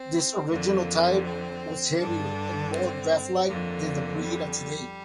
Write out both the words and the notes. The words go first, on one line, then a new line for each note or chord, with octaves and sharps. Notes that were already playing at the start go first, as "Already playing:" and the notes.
This original type was heavier and more draft-like than the breed of today.
Already playing: C4
F2 D3 A#3
C4
G2 D3 D4
C4
F2 D3 A#3
G3